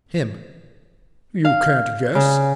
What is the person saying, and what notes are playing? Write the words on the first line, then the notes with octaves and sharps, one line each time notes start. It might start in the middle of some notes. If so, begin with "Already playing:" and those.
HIM: You can't guess?
F5
C#3